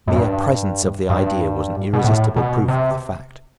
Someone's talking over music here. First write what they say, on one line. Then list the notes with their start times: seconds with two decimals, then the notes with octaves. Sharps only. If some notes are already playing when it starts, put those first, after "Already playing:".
The mere presence of the idea was an irresistible proof of the fact.
0.08 F#2
0.16 G2
1.10 G2
1.93 B2
2.04 A2
2.36 B2
2.68 C3